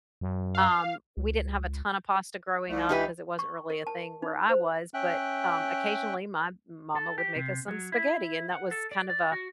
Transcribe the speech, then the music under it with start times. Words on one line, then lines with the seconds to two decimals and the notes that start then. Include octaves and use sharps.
Um, we didn't have a ton of pasta growing up 'cause it wasn't really a thing where I was, but, um, occasionally my mama would make us some spaghetti and that was kind of a
0.21 F#2
0.55 F5
1.17 C#2
2.69 C2 A3
2.89 C#2 E3 D#4 G4 B4 B5
3.39 C#6
3.70 A#4
3.87 A5
4.22 D#4
4.49 C5
4.94 C#4 E5 G5 F#6
6.95 A4
7.18 G4
7.36 C3
7.68 F#3
7.92 E4
8.53 F#5
8.71 A4
8.92 D5
9.10 D5
9.32 F#4